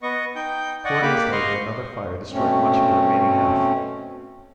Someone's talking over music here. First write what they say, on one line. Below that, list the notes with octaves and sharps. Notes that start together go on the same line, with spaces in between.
Four days later another fire destroyed much of the remaining half.
B3 D#5 C#6
D#4 G5 G6
D5 D#5 F#5 C#6
A#3 G4 B5 D6 F#6
D#5 F5 C6 C#6 F6
B2 A3 C4 C#4